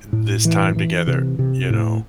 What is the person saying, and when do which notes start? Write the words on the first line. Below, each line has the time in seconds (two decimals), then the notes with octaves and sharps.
this time together," you know?
0.13 A2
0.45 E3
0.76 E3
1.07 C3
1.39 C3
1.70 A2